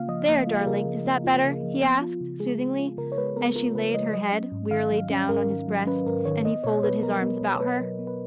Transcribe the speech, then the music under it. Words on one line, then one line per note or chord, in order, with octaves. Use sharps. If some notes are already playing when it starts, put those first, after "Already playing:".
"There, darling, is that better?" he asked, soothingly, as she laid her head wearily down on his breast, and he folded his arms about her.
Already playing: C#3 A#3 F4 F5
F3 D#5
A#3
F4
G#4
C#3 A#4
F3
A#3
F4
C#3
F3
B3
F4
C#3
G#3 G#4
B3
F4
C#3 A#4
C#5
G#3 B4
B3 A#4
F4 A#4
C#3 B4
G#3 D#5
F#3 D#5
C#4
G#2
D#3 F5
F#3
C#4
G#2 A#4
D#3
F#3
C#4 B4
G#2 A#4
D#3 C#5
B3 D#5
B2 C#5
B2 B4
F#3 A#4
B3
B2
B2 B4
F#3
B3
B4